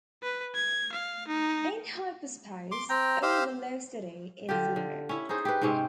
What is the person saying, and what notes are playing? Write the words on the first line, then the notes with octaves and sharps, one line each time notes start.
In Hyperspace, all velocity is zero.
B4
G#6
F5
D#4
C6 D6
C4 G5 A#5
G4 C5 F5 E6
D3 F4 G4
D3
C#4 E4
D#4 E4 G#4 C5
G4 B4
G#2 C3 C4 C#4